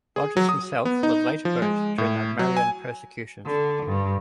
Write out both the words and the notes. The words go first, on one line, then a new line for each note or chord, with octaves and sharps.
Rogers himself was later burnt during the Marian persecutions.
G#4
F#3
D#6
B3
D#4
F3
G#3
A2
F#3
G#5
D3
G2